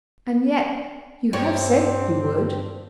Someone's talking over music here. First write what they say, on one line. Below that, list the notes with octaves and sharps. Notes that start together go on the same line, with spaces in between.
"And yet you have said you would?"
G2 F3 C4 D4 C#5